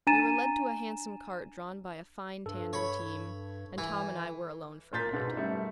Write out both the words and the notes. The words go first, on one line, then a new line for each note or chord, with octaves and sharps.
We were led to a handsome cart drawn by a fine tandem team, and Tom and I were alone for a minute.
D4 G#5 A#5 A6 D#7 E7
G2 A4
C#5 B5
E3
A#2 A#4 G6 A6 B6
B1 G#2 B2
F#2 G3 A3